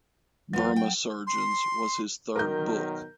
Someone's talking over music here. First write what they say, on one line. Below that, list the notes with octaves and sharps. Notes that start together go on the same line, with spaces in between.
Burma Surgeons was his third book.
E2 F#3 F4
G5
C6
B2 D#3 F#3 A#4 A#5 G6